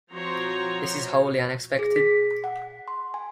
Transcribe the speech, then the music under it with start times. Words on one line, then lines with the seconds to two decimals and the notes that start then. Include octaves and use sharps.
This is wholly unexpected.
0.12 F3 C4 F#4 C5 C#5 A#5
1.79 G#4
1.96 B6
2.44 F#5
2.88 C6
3.14 G#5